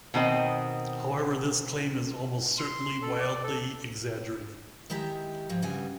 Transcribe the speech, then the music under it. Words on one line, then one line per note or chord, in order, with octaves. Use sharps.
However, this claim is almost certainly wildly exaggerated.
B2 D#3 C4 D#5
C6
A4
D5
A4
D#3 G#3 E4 G4 E5 A#5
G#2 F3 F#3
G2 C#3 G3 F#4 G#5